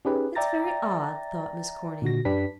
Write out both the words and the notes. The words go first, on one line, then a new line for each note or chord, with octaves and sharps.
"It's very odd," thought Miss Corny.
C#4 D#4 G4 G#4 B4
D5 E5 G5 A#5 A6 A#6
A#2 D3 F#4 A#6
F#2 D4 G4 B4 B6